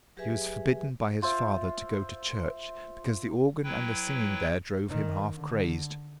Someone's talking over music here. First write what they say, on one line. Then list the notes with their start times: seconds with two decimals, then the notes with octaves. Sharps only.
He was forbidden by his father to go to church, because the organ and the singing there drove him half crazed.
0.17 F#3 G4 G#4 B4 E5 G#5
1.22 F4 C5 E5
3.64 F#3 E4 B4 G5
4.89 D#3
5.35 D3